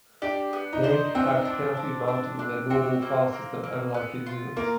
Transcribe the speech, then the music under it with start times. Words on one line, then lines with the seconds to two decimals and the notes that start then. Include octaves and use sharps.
Named pipes cannot be mounted within a normal filesystem, unlike in Unix.
0.22 D4 G4
0.53 B3
0.73 D#4
0.83 D4 C5
1.15 B3 C4
1.45 D4
1.77 D4
2.08 D4
2.39 D4
2.70 C4 F#4
3.02 A#3
3.33 A#3
3.64 A#3
3.94 B3
4.26 F4
4.56 A#3 A#4